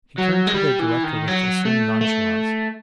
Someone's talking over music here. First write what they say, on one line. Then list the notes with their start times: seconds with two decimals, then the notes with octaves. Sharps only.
He turned to the director with assumed nonchalance.
0.18 F#3
0.47 G#3
0.54 G3
0.80 E3
1.04 D#3
1.28 F#3
1.65 A3
2.01 A3